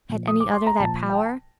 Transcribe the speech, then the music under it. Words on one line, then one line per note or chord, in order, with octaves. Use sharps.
Had any other that power?
A#2 F3
D#6
D6
C6
A#5
A#2 F3 A5
G5
A5